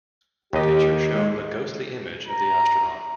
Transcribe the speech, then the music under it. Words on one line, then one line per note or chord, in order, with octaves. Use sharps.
The picture showed a ghostly image of the astronaut.
D#2 G4 D#5
G#3
A#5